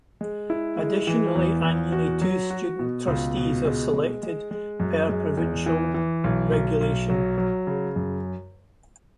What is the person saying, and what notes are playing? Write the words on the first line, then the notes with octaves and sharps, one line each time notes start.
Additionally, annually, two student trustees are selected per provincial regulation.
G#3
E4
G#3
E3
E2
E2
F#4
F#3
F#4
B2
C#2
B2
G#3
G#3
G#3
G#3
F#2
G#3
E2
E3
E3
B1
B1
B1
F#3
F#3
C#3
F#2